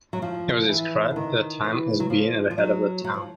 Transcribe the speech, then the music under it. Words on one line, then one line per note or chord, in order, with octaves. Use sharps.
It was described at the time as being at the head of that town.
F#3
F3
E3
D3
D#3
E3
F#3
F3
F3
F#3
F#3
F3